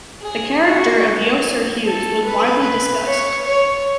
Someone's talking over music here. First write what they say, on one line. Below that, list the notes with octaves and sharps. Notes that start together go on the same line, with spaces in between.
The character of Yosser Hughes was widely discussed.
G#4
F#4
A4
B4
C#5
C#5